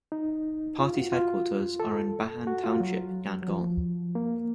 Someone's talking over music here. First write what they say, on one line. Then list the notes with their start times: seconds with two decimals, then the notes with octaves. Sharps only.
The party's headquarters are in Bahan Township, Yangon.
0.12 D#4
0.79 F4
0.95 F#4
1.12 F4
1.80 A4
2.47 F#4
2.64 F4
2.80 F#3
3.43 F#3
3.48 F3
4.15 A#3